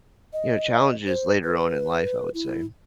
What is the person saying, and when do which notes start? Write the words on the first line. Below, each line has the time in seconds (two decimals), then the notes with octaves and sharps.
you know, challenges later on in life, I would say.
0.33 D#5
1.07 C5
1.44 B4
2.34 E4